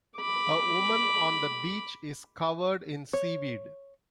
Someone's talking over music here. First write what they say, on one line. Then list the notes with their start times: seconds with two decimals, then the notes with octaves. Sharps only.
A woman on the beach is covered in seaweed.
0.18 B5 D6
3.13 C#5